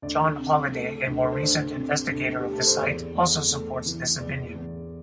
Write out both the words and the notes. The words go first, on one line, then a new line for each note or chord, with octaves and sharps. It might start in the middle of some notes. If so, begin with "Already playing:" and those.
John Holladay, a more recent investigator of the site, also supports this opinion.
D2 D5
C3
A3
D2
A4
C5
D2 D5
C3
D2
G4
A3
A4
C5
E2 D5
E2
A3
E3
E2 D5
E2